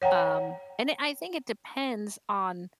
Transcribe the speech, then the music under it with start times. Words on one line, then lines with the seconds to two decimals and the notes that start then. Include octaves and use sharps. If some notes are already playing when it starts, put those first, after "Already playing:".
um, and it I think it depends on
0.02 C#5 F#5 G5 A#5